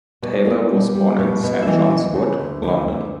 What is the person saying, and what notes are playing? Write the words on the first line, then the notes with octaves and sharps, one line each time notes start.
Taylor was born in Saint John's Wood, London.
B2 D5
B3
G3
G3
B2
B2
E5
E3 D#5
D2
C#3
D2
D2
D2